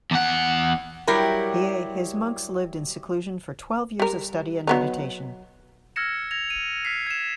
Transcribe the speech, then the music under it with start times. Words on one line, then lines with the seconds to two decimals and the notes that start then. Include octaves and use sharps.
Hiei, his monks lived in seclusion for twelve years of study and meditation.
0.11 E2 F#5
1.07 F#3 G3 E4 G4 A#4
3.99 G3 A#4
4.67 F#3 B3 D#4
5.96 E6 F6 G#6 A#6 C#7 E7
6.31 G#6 A#6 F7
6.50 D#7
6.85 F6 B6 C7
7.07 G#6 E7